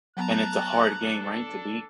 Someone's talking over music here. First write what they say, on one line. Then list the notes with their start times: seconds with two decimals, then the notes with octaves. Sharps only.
And it's a hard game, right, to beat?
0.17 F#3 B3 A5 A#5 F#6
1.01 D4 A4